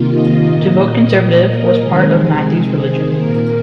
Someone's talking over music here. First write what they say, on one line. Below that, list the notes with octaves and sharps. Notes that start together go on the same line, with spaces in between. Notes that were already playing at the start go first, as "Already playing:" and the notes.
To vote Conservative was part of Matthew’s religion.
Already playing: C3 D#3 A#3 F4
D#5
A#2 A#3
A#2 A#3 D#5
A#4
C3 D#3 G#3 G#4
C3 D#3 C4
A#3 A#4
A#2